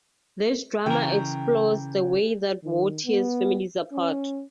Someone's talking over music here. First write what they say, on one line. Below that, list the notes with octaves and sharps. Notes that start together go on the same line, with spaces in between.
This drama explores the way that war tears families apart.
C#3 E3 A#4 G5
D#3
B3
C#4